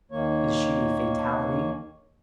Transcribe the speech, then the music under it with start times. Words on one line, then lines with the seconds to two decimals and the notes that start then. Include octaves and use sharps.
Is she Fatality?
0.11 D#2 D#3 A#3 C#5